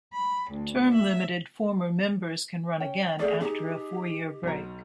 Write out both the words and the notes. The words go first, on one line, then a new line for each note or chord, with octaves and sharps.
Term-limited former members can run again after a four-year break.
B5
D2
E5
C#4 G5
A3 G#4 D5
D4 D#4 G4 G#4
B1 B2 A#5